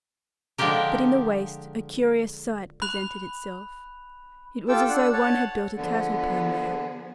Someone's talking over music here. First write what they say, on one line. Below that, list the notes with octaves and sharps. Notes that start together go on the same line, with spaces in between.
But in the waist a curious sight presented itself. It was as though one had built a cattle-pen there.
D3 F3 G#3 G4 A#4
B5 F#6 F7
F4 G4 A4 G5 E6
D4 F#5 E6
C#5 F#5 A5
D3 F3 B3 G#4